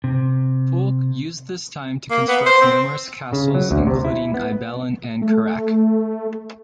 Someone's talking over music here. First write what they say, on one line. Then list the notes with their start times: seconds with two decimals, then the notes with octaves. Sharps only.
Fulk used this time to construct numerous castles, including Ibelin and Kerak.
0.04 C3
2.10 A#3
2.28 B3
2.46 C5
2.61 C4
3.33 C#3
3.55 F#3
3.71 D2
3.87 C3
4.04 E4
4.34 B3
5.22 A3